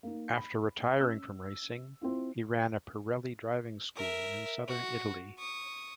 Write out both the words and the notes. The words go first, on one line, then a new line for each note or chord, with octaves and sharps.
After retiring from racing, he ran a Pirelli driving school in southern Italy.
A#3 D#4
B5
C#4 E6
C4 E4 F4
A#4 E5
F#4
C#6 D#6